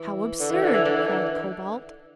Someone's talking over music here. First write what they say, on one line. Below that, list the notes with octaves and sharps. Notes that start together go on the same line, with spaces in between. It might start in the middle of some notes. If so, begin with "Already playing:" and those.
"How absurd!" cried Cobalt.
Already playing: E3
D3
E3
D3
E3
D3
E3
D3
E3